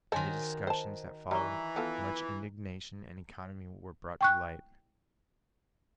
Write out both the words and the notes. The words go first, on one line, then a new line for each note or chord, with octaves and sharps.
In the discussions that followed much indignation and economy were brought to light.
D#3 F#4 C5 C#5 D#5 G#5 A5 C6
C5 A5
E3 G3 A#5 C#6
B3 F4 A4
G5 C#6 F#6